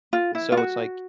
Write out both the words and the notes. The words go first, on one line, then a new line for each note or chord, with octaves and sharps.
and so, it's like
F4
E4
F4
F#4